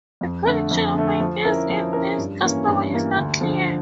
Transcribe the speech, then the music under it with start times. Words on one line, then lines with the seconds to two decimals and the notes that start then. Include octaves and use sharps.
The connection of ideas in this custom is not clear.
0.21 F2
0.45 D3 A3
0.71 F2
0.95 D3 A3
1.20 F3
1.44 C#4 E4 A#4
1.69 F3
1.93 C#4 E4 A#4
2.18 G2
2.42 E3 A#3 C#4
2.67 G2
2.91 E3 A#3 C#4
3.17 D2
3.41 D3 F3